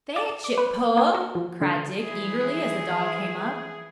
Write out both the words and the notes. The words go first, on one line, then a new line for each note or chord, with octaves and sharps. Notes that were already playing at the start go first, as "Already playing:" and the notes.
"Fetch it, pup," cried Dick eagerly as the dog came up.
D5
D6
B4
A#3
F#4
F3
D3
E3 F3 E4 G#4